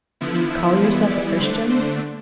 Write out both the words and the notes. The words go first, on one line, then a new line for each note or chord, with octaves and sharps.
"Do you call yourself a Christian?"
D3 F3 B3 E4
E5
E3 G3 B3 E4
D5
D3 A3 D4 C5
C5